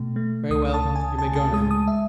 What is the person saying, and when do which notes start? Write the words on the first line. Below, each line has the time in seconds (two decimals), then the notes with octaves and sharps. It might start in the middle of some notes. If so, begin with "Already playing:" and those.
"Very well, you may go now."
Already playing: B2 A3
0.16 A3
0.50 C#2 D#6
0.74 A5
0.85 C#3
0.96 G#5
1.18 C#2 A5
1.36 A5
1.53 G#3 D#6
1.71 D#6
1.87 E5